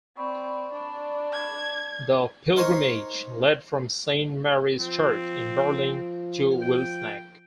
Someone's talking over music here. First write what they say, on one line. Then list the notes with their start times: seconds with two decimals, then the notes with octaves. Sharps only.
The pilgrimage led from Saint Mary's Church in Berlin to Wilsnack.
0.17 C4 D5 B5 C#6
0.72 D4
1.33 G#6
2.56 D#4 A#4 C5 C#5 D#5
4.79 F3 C4
6.62 G5